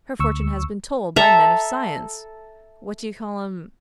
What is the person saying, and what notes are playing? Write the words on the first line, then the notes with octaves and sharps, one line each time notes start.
Her fortune has been told by men of science--what do you call 'em?
D2 C#6 E6
A4 E5 A#5